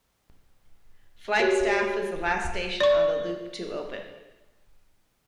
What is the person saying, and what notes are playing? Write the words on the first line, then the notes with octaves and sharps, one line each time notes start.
Flagstaff was the last station on the loop to open.
F#4 G4 C#5
D5 C#6